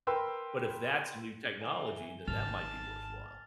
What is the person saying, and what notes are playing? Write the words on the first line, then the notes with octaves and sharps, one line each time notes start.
but if that's a new technology, then that might be worthwhile.
A#4 B4 G5 C6 E6
E3 G#5 G7
G#1 A5 F6 A6 F7